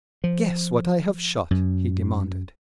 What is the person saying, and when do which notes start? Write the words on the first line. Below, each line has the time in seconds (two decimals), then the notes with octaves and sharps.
"Guess what I have shot," he demanded.
0.24 F3
1.51 F#2